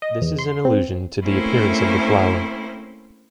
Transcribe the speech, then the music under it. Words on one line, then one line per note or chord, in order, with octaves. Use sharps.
This is an allusion to the appearance of the flower.
D#5
E2
C6
C4
A3 A#3 C4 C#4 E4 C5